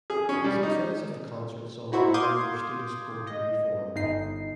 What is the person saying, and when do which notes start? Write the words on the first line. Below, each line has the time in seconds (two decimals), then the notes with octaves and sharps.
The success of the concert saw demand for Status Quo to reform.
0.10 G#4
0.29 C#4
0.44 G3
0.63 D#4
1.92 D#4 E4 F#4 C5 E5
2.14 F5 C6 D6 D#6 G6 G#6
3.27 D#5
3.95 G1 D#4 C7